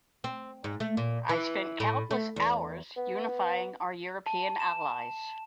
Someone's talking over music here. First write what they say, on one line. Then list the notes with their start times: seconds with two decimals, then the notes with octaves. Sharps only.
I spent countless hours unifying our European allies.
0.24 C4
0.64 G#2
0.80 A3
0.97 A#2
1.29 E3
1.80 A2
2.11 A3
2.36 E2
2.97 B3
4.26 A5
4.60 E7